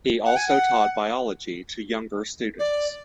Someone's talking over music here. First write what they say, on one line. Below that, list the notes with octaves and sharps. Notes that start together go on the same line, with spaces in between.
He also taught Biology to younger students.
F#5
G#5
F#5
D5